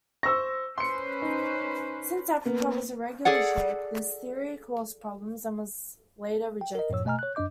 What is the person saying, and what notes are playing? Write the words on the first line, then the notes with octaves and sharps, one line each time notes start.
Since Africa was irregularly shaped, this theory caused problems and was later rejected.
C5 C#6 E6 A#6
C#4 B4 C5 C6 C#7
D#4
A#3 B3
G#4 A4 D5 F#5
G5
A#4 D#5
F#2 A2 F3 C#5 E6
B2 A3 D#5 G#5 A#5 F6
C#5 F#6
F#2 D4 D#5 D6 G6